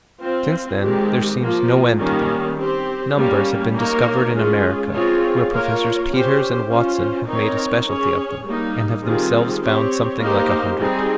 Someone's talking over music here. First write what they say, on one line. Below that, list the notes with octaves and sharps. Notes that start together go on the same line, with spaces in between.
Since then there seems no end to them; numbers have been discovered in America, where Professors Peters and Watson have made a specialty of them, and have themselves found something like a hundred.
C4 F4 C5
D#3 G#3 C4 G4
F3 A#3 F4
D#3 G3 A#3 C#4
C4 G4 C5
G3 A#3 C#4
A#3 D#4 A#4 C#5
G#3 C#4 F4 G#4
C4 F4 G#4 C#5
A#3 F4 A#4 C#5
C#4 G4 C5
C#4 F4 C5
C4 D#4 A#4 C#5
C#4 G#4 C#5
G3 A#3 D#4
D#3 G3 C4 F4 G#4
C4 G4 C#5
A#3 D#4 G4 C5
G3 C4 D#4 G#4